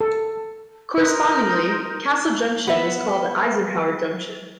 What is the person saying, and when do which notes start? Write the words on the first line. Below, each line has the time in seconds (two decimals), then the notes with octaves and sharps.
Correspondingly, Castle Junction was called Eisenhower Junction.
0.01 A4
0.98 D#4 A#4 B4 C6
2.67 B3 E5